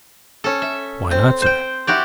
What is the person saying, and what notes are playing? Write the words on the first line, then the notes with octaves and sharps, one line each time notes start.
"Why not, sir?"
C#4 A4
E5
C4
C5 G5
E4 F#4 G4 D5